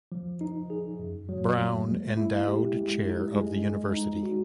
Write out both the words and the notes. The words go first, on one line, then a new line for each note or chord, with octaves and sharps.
Brown Endowed Chair of the University.
F3
D#4
G#4
F#2
F#3
A#3
G#3
E4
G4
G#3
D#4
G#3
G#3
D#4
F#4